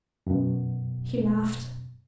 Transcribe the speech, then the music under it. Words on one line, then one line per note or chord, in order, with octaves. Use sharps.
He laughed.
F#2 B2